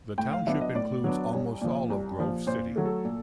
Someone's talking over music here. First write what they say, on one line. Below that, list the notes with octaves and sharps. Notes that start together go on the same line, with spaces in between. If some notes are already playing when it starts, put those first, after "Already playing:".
The township includes almost all of Grove City.
A2 G5
F5
F#3 B3 D4 E5
D#5
A2 D5
F#3 B3 D4
C2 C#5
A#2 F3
C2
A#2 F3
A#2 C5
F#3 A3
A4
A#2